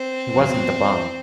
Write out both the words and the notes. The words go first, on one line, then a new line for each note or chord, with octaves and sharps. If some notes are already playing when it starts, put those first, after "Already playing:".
He wasn't a bum.
Already playing: C4
E2 B2 F#3